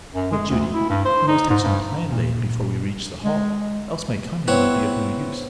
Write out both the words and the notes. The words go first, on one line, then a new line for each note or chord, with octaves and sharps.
"But, Judy, we must have some plan laid before we reach the Hall; else my coming will be of no use."
F#2
G#3
D2
E4
G2
C5
D#4
G#2
G2
A#2
G#3
B3 C4 E4 C#5 F#5 B5